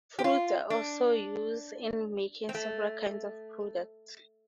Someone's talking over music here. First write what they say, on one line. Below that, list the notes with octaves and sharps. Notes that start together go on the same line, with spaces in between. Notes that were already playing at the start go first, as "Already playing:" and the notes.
Fruits are also use in making several kinds of products.
G4
F4
D4
C4
A3